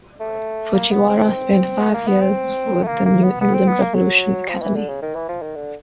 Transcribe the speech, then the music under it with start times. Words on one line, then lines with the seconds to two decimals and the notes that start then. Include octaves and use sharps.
Fujiwara spent five years with the New England Revolution academy.
0.20 A3
0.74 A#3
0.91 B3
1.09 C4
1.80 B3
1.89 A3
1.94 A#3
2.07 B3
2.21 C4
2.83 A3
2.88 A#3
3.06 A#3
3.23 B3
3.41 B3
3.54 C4
3.68 B3
3.81 A#3
3.95 F#3
4.48 F3
4.62 E3
4.75 D3
4.88 C#3
5.02 D#3
5.15 E3
5.29 F3
5.42 D#3
5.55 D3